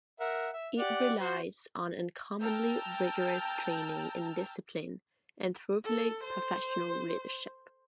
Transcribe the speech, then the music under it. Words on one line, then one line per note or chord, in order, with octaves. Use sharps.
It relies on uncommonly rigorous training and discipline and thoroughly professional leadership.
A#4 E5 F#5
E5
G4 D5 F#5
F#4 C5
G5 A5 A#5 E6 F6 G6
A4
C5